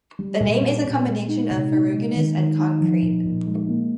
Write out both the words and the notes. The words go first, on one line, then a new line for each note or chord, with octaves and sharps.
The name is a combination of "ferruginous" and "concrete".
G3
A#2
A#2
A#2
G#3
D#4
C3
D#4
G#3
D#3
D#3
D#4
F3
A#2
A#2
G#3
A#3